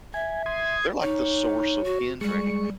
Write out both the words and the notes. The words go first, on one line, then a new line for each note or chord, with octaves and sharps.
they're like the source of pin trading.
E5 G#5
C6 D#6 G#6
D#4 C#5
F#4
G3 G#3 C#6